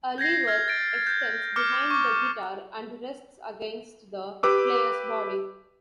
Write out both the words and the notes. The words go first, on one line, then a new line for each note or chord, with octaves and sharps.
A lever extends behind the guitar and rests against the player's body.
G6 G#6 A#6 C7
F6 G#6
A6 D7
G6
D6 F6 G6 C#7
C#6 D6
G4 B4 D6 E6